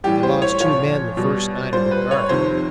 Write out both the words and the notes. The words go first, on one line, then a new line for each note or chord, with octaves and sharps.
They lost two men the first night of their guard.
A2 E3 G3 G4
C5
C#5
A#2 F3 C#5
B2 G3
A#2 G3 C5
B4
C#5
F2 C3 D#3 C5